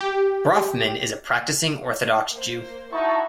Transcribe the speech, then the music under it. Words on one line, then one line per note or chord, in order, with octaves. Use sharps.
Brafman is a practicing Orthodox Jew.
G4
A#3 C5
D#4 E4 F#4 E5 A5 C#6